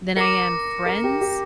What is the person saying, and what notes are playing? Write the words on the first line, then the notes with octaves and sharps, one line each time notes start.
than I am friends
A#4 D6 A#6 C#7
A#4
G4
G4